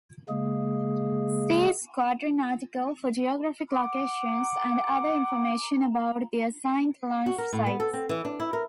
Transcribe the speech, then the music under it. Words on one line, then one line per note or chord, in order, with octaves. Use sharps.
See squadron article for geographic locations and other information about the assigned launch sites.
C#3 G#3 A#3 G#4
F#5 D6
F#4
A#4
A2
B3
A4
C4
E3
D4
E4
A#4